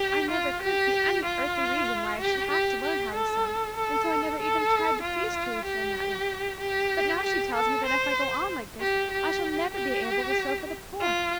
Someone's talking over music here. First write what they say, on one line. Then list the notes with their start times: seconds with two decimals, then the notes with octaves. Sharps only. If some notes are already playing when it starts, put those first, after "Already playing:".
I never could see any earthly reason why I should have to learn how to sew, and so I never even tried to please Teresa in that way. But now she tells me that if I go on like this I shall never be able to sew for the poor.
Already playing: G4
0.31 F4
0.62 G4
1.25 F4
2.19 G4
2.51 G4
2.83 G4
3.14 A4
3.77 A4
4.40 A4
5.03 F4
5.65 G4
6.60 G4
7.23 G4
7.54 A4
7.86 C5
8.80 G4
9.11 G4
9.74 G4
11.01 F4